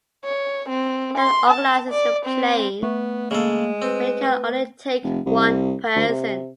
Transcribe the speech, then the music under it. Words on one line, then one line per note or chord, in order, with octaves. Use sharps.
Cad organises the plane, but it can only take one person.
C#5
C4
C6
A5
D5
C4
A3 B3
C#3 G#3 A#3 A4
C4 B4
F1
C2
D2
C3